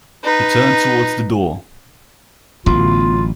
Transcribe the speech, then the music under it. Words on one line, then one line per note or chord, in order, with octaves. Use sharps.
He turned towards the door.
D#4 B4
A1 A2 D3 F#3 B3 F4